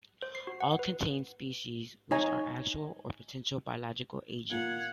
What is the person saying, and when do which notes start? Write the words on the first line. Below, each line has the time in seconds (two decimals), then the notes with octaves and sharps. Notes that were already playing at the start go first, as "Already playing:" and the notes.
All contain species which are actual or potential biological agents.
0.22 C5
0.35 C7
0.47 F#4
0.60 F#5
0.79 B4
2.11 D#4 C#5 G#5 A#5
4.51 A#2 F5 F#5 G#6